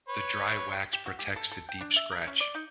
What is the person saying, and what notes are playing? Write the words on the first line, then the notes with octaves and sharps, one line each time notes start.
The dry wax protects the deep scratch.
B4 C#5
G4
F#4
G4
A4
A4
G5
D4
E5
A#4
C#4
D5
D#4